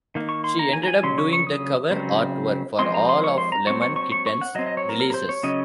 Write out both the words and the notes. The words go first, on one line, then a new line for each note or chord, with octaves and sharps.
She ended up doing the cover artwork for all of Lemon Kittens releases.
D#3 A#3
C#6
C6
A#5
G#5
A#5
G#5
C#3 F#3 C#4 C6
C#6
C#6
D#6
C#3 F#3 C4
F3 G#3 C4 C6
A#5
C6
C#6
C6
A#5
F#3 C4 C#6
C#6
C#6
C#6
C#6
F#5
F#3 C4 D#5
D#5
C#5
A#4
A#4
A#4
C5
C#5
C#3 F#3 C#4 D#5